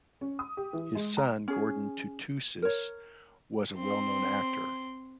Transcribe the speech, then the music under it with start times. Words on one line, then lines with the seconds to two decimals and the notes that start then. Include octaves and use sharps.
His son Gordon Tootoosis was a well-known actor.
0.21 C#4
0.39 D#6
0.57 G4
0.73 E3
0.95 G#3
1.17 A#5
1.48 C#4 G#4
2.62 A#4 C#5
3.78 C4 C6